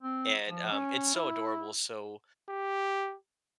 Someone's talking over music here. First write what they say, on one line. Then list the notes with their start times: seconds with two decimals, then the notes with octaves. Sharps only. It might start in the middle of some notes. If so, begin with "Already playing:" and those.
and, um, it's so adorable. So,
0.02 C4
0.49 F3
0.72 C#4
1.14 E4
2.50 G4